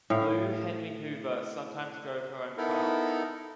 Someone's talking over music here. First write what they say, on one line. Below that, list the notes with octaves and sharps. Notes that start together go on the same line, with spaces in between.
Lou Henry Hoover sometimes drove her own car.
A2 F5
B3 D#4 E4 A4 A#4